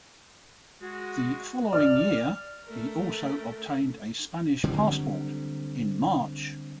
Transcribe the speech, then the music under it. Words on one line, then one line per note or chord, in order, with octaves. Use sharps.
The following year, he also obtained a Spanish passport, in March.
G#3 F#4
D5 F6
A3 A#4
D3 F#3 G3 C4